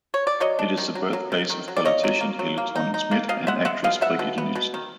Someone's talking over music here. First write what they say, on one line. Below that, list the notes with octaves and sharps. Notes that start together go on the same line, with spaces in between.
It is the birthplace of politician Helle Thorning-Schmidt and actress Brigitte Nielsen.
C#5
D5
F#3 C#5 D#5
D4
D#3
F#3
F#3
D#3
D#3
F#3
D5
A#3 C#5 D#5
F#3
A#3
F#3
A#3
D#4
D#4
A#3
B2 D#5 F5
G#3 E5 F#5
G#3 E5 F#5
B2 D#5 F5
B3 E5 F#5
B2
B3
B2
D#3